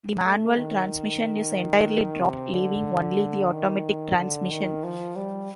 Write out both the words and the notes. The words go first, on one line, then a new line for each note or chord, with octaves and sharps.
The manual transmission is entirely dropped, leaving only the automatic transmission.
A3
D#3
C3
D3
D#3
D3
D#3
F3
G3